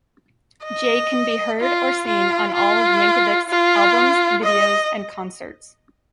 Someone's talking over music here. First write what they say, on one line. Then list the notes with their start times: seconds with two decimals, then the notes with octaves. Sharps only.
Jay can be heard or seen on all of Yankovic's albums, videos, and concerts.
0.65 D#5
1.60 F4
2.07 F4
2.54 F4
3.50 F4
4.44 D#5